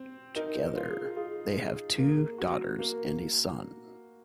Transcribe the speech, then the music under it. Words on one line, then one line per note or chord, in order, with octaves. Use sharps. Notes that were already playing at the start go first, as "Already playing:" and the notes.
Together they have two daughters and a son.
Already playing: C4
D#4 A#4
A#4
F4
G#4
F4 G#4
A#3
F#4
A#3